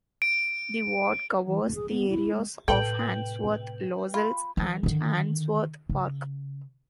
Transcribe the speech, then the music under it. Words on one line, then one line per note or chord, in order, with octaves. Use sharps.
The ward covers the areas of Handsworth, Lozells, and Handsworth Park.
D7
E3
A3
G#4
B3
E4
G#3
A2 C3 A4 B4 G5 F#7
F4 B5
E3
D3 D#3
C#3